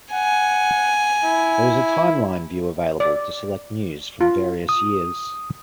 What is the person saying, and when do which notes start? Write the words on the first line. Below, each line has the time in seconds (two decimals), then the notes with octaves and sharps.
There was a timeline view available, to select news from various years.
0.13 F#5 G#5
1.24 E4
3.00 D5
4.21 F4
4.69 D#6